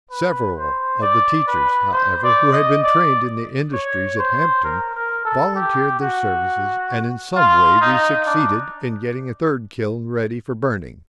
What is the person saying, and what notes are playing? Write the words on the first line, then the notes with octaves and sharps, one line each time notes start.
Several of the teachers, however, who had been trained in the industries at Hampton, volunteered their services, and in some way we succeeded in getting a third kiln ready for burning.
B4
C5
D5
B4
C5
D5
D#5
D5
C#5
C5
A#4
A#4
A4
G4
F#4
F4
D#4
D4